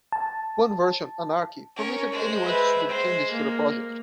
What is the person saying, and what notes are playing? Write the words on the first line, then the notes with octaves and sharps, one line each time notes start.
One version, Anarki, permitted anyone to submit changes to the project.
A5
C#4 A#4
G#3 C5
B4 E5
G#3 C5
A#3